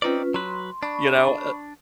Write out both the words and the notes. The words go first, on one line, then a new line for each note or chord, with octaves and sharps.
you know, uh
C4 C#4 D#4 F4 B4 D5
F#3 B4 C6
D4 B5 C#6